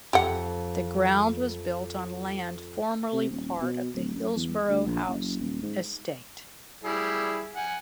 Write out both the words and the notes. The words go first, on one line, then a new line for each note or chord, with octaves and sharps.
The ground was built on land formerly part of the Hillsborough House estate.
F2 G4 F#5
C3
D#1
B2
D1
F#2
E2
D2
A#1
F#1
D#1
G#2
G3 E4 G#4
F#5 G#5